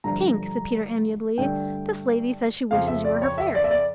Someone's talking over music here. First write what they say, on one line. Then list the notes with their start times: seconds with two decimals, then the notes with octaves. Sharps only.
"Tink," said Peter amiably, "this lady says she wishes you were her fairy."
0.04 G2 D3 F3 A3 A#5
1.38 G2 D3 A3 G5
2.71 F2 C#3 F3 F5
2.87 E5
3.05 D5
3.22 C#5
3.38 E5
3.55 D5
3.64 E5
3.71 D5